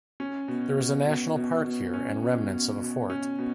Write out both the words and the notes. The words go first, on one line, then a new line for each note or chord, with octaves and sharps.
There is a national park here and remnants of a fort.
C#4
B2
B2
B2
B2
B2
C#4
B2
B2
B2
C#4
B2